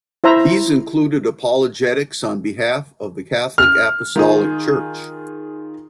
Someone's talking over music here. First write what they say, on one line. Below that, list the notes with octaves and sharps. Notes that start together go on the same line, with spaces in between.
These included apologetics on behalf of the Catholic Apostolic Church.
E4 C5 E5 A#5
F6
D#3 F4 G#4